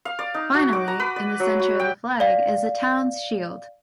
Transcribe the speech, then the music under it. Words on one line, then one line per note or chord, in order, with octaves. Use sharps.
Finally, in the center of the flag is the town’s shield.
F5
D5
D#4
F#4
D6
A#5
B4
D5
F#3
F#4
G5
D5 F5